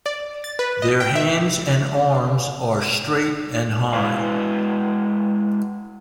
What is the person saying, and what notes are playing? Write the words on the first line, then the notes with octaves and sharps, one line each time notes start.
Their hands and arms are straight and high.
D5
A6
B4
D#5
G5
E5
G#3 E4 B4 F5